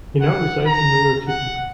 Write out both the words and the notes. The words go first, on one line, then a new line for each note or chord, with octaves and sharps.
He now resides in New York City.
F#5
A#5
F#5